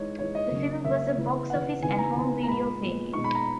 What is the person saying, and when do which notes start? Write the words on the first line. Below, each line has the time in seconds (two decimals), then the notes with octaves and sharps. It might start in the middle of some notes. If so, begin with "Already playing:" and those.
The film was a box office and home video failure.
Already playing: E3 G#3 D#4 C#5
0.19 E3 G#3 D#4 C#5
0.35 D#5
0.51 C#3 F#3 A#3 C#4
0.84 C#3 F#3 A#3 C#4 E5
1.17 C#3 E3 B3
1.50 C#3 E3 B3 F#5
1.82 C#3 E3 B3 D#4 G#5
1.99 A#5
2.15 C#3 E3 B3 D#4
2.43 A#5
2.48 A#2 G#3 B3 B5
2.80 A#2 G#3 B3
3.13 B2 G#3 D#4 C#6
3.24 B5
3.35 A#5